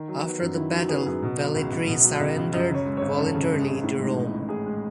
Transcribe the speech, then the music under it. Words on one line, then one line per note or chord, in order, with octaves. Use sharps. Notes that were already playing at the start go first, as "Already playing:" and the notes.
After the battle, Velitrae surrendered voluntarily to Rome.
Already playing: D#3
F#3
B3
F#2
D#3 E4
F#3 F#4
B3 G#4
F#2
B2
F#3
C#2
C#2
B2
F#3
C#2
C#2
F#2 D#5
C#3
C#5
G#3
C#5
G#1
F#2 A4
C#3
G#3
G#4
G#1
A2 E4
G#3
D#4
A1
E4
A1
A2 G#4
G#3